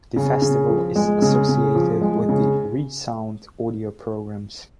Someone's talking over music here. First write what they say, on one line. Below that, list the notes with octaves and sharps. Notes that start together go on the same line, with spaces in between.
The festival is associated with the "Re:sound" audio programs.
C#3
C#3
F3
G#3
C#3
C#3
F3
G#3
C#3